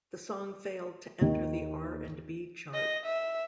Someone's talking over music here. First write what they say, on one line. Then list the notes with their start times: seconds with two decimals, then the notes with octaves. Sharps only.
The song failed to enter the R and B chart.
1.21 D#2 D#3
2.74 D#5
3.06 E5